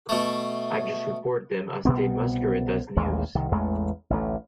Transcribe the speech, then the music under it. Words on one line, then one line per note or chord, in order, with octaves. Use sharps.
I just report them as they masquerade as news.
B2 A3
C2 B2 B3 C4
A1 D#2 A#2 G#3
C2 D#3
A1 E2 G#3 A3
A1 D2 A3